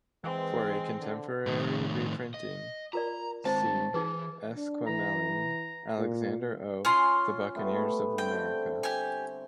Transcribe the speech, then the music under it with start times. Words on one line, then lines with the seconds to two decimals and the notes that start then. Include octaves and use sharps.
For a contemporary reprinting, see Esquemeling, Alexander O., The Buccaneers of America.
0.24 E3 G#3 C4
0.99 D3
1.46 A2 D#3
2.34 D#5
2.93 F4 A#4 D5 A#5
3.45 G#3 C4 C5 A5
3.94 E3 D#4 G#4 B4
4.56 D4
4.87 E3 A#5
5.98 A#2
6.85 C#4 F4 G#5 C6
7.55 G3 A3 B3
8.18 D3 C4 G5
8.83 G4 G#5